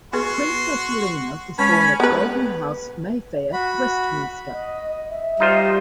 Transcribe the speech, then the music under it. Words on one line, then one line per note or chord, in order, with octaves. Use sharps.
Princess Helena was born at Grosvenor House, Mayfair, Westminster.
B3 F#4 G#4 B4 C6 C#6
G#3 C#4 B4 A5 B5
B3 B4
F#4 B5
D#5
E5
G3 D#4 F4 C5